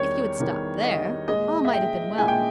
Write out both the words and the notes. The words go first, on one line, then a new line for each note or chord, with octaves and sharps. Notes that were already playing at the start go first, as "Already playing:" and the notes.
If you had stopped there, all might have been well.
Already playing: E2 D#3 G3 C#5
E2 D#3 G3
D#5
A#2 G#3 D#5
E5
G5
A#2 G#3 G#5
G5